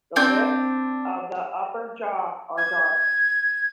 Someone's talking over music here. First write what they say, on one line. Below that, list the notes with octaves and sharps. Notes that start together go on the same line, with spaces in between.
The lips of the upper jaw are dark.
C4 D4 G6
G#6